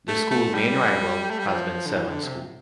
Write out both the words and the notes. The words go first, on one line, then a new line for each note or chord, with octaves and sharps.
The school main rival has been Severn School.
A3
A3
G3
A3
G3
F3
D3
E3
D3
C3